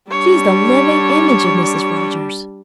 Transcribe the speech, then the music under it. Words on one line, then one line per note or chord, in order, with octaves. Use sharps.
"She's the living image of Mrs. Rogers."
G3 D4 C#5